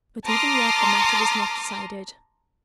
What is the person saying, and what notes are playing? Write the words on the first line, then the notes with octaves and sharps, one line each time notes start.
But even yet the matter was not decided.
A5 A#5 C6 D6 D#6 F6